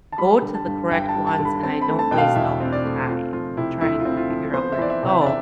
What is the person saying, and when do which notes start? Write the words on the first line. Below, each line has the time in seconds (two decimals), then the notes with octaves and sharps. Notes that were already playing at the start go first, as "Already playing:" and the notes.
go to the correct ones, and I don't waste all my time trying to figure out where to go,
0.12 A5
0.18 G3 B5
0.42 D3
0.55 A5
0.66 G2
0.91 G1 G5
1.09 A5
1.15 G3
1.27 A5
1.39 D3
1.45 B5
1.63 C4 A5
1.82 B5
1.88 A3
1.99 A5
2.11 B2 G5
2.18 F5
2.36 E2 E5
2.60 C4
2.72 D5
2.84 A3
3.09 C4 F4
3.33 F3 F4
3.57 C3 E4
3.81 D2 E4
3.99 F4
4.05 C4
4.17 F4
4.30 F3
4.53 B3 C5
4.72 E5
4.78 E3 D5
4.90 E5
5.03 C3
5.09 E5
5.21 D5
5.26 E5